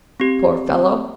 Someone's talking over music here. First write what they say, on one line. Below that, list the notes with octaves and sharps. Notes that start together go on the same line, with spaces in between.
Poor fellow!
C4 G4